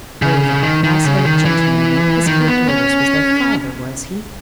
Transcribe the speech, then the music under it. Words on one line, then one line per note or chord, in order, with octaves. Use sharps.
Oh, that placid old gentleman in the episcopal gaiters was their father, was he?
C#3
D#3
D#3
C#3
D#3
E3
D#3
B3
C#4